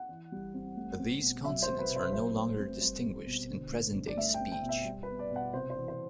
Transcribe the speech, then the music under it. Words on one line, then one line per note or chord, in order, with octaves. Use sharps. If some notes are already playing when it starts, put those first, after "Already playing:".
These consonants are no longer distinguished in present-day speech.
Already playing: F#5
E3
G3
C4
A3
C4
B2
F#3 E5
C5
C4
B4
C3
C5
F#3 C5
A3
C4
G3 C5
C4
B2
D3
A3
G2
D5
A3 E5
G5
C4
G5
B2
E5
G3
B4
B3
D5
B2
F#5
C3 C5
C5
E3
C5